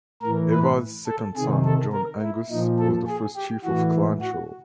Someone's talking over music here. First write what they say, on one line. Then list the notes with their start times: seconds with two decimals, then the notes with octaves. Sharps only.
Eva's second son John-Angus, was the first chief of Clan Shaw.
0.22 A2 E3 A#4
0.51 B4
1.07 A4
1.36 C3 D#3 G#4
1.65 A4
1.93 A#4
2.22 E4
2.50 A#2 F3 D#4
2.79 A4
3.07 G#4
3.36 G4
3.64 A2 E3 F#4
4.22 F#4